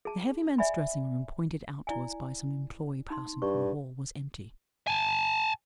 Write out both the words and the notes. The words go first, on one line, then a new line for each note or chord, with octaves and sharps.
The heavy man's dressing room, pointed out to us by some employee passing through the hall, was empty.
G#4 A5
D5 E5 G#5 B5
E4 D5 G#5
D#4 C6
G2 C#6
G#5 A5